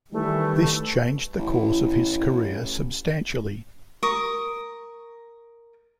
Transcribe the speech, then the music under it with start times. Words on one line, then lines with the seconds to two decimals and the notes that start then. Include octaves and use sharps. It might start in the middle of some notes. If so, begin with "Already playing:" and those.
This changed the course of his career substantially.
0.12 D#3 E3 G3 A3
1.39 A1 E4
4.03 A#4 C#6 D#6